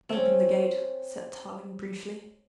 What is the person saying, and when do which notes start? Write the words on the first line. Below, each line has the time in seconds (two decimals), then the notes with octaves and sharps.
"Open the gate," said Tarling briefly.
0.09 C4 C#4